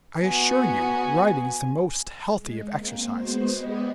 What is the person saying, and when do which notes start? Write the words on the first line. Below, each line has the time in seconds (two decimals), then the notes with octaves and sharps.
"I assure you, riding is the most healthy of exercises."
0.23 B3 F#4 G#5
2.36 G#3
2.71 A#3 C4
3.13 G#3 B3 F#4 C5
3.56 G#3 B3 G4 B4 D5 D#5